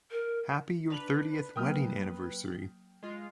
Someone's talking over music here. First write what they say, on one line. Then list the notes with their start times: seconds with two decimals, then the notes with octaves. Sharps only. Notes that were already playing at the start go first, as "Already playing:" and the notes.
Happy your thirtieth wedding anniversary!
0.11 A#4
0.90 D4 B4 F7 F#7
1.56 F#3 A#3 A#4 G5 D#6 F6
3.03 G#3 F4